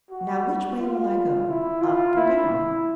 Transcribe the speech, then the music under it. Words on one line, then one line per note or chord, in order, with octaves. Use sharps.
Now which way will I go,--up or down?
F#4
F4
E4
F4
E4